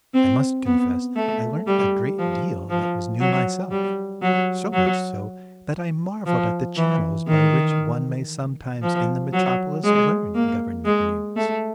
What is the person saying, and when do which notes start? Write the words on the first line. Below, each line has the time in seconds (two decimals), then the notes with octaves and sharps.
I must confess I learnt a great deal that was new myself, so much so that I marvelled at the channels by which one may sometimes in the metropolis learn government news.
0.14 C4
0.66 B3
1.16 A3
1.67 G3
2.19 F3
2.70 F3
3.20 F#3
3.71 G3
4.22 F#3
4.73 F#3
6.26 F3
6.77 E3
7.28 D#3
8.82 F3
9.33 F#3
9.84 G#3
10.35 A#3
10.85 G#3
11.37 A3